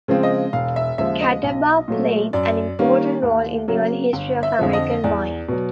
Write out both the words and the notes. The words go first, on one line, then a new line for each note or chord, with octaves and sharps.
Catawba played an important role in the early history of American wine.
C#3 F3 G#3 C4
D#5
E1 F5
E5
D#2 C#3 F3 G#3 E5
D#5
B1
A#2 F#3 A3
F#2 D5
D#3 G3 A#3 C#4
D#2
C#3 F#3 A#3
G1
E5
F2 D3 F3
D#5
E2 D5
B2 F#3